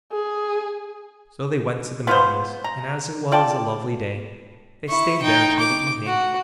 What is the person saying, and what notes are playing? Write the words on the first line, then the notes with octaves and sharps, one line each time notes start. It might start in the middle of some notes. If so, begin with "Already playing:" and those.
So they went to the mountains; and as it was a lovely day, they stayed there till the evening.
G#4
B3 F4 B4 C5
A#5
F4 D5 G5 A5
E4 C#6
D#4 G5
D6
F#4